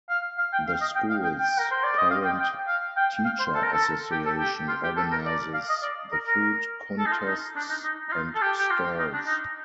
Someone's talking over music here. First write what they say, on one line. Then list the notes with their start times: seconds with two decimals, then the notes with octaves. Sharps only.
The school's Parent Teacher Association organises the food, contests and stalls.
0.09 F5
0.38 F5
0.53 G5
0.67 F5
0.81 D#5
0.95 G5
1.10 F5
1.24 G5
1.39 G5
1.59 A#4
1.71 C5
1.84 D5
1.98 D#5
2.10 F5
2.25 G5
2.39 G5
2.68 F5
2.97 G5
3.25 F5
3.40 C5
3.54 A4
3.63 A#4
3.73 A4
4.12 G4
4.25 A4
4.40 G4
4.68 F4
4.84 G4
4.97 A4
5.12 A#4
5.26 D5
5.54 F5
5.69 D#5
5.83 D5
6.12 A#4
6.27 A#4
6.98 A4
7.06 D#4
7.13 F4
7.27 D#4
7.56 D4
7.70 D#4
7.84 D#4
8.09 D#4
8.13 F4
8.35 A4
8.42 G4
8.59 G4
8.70 F4
8.99 D#4
9.13 D4
9.27 D#4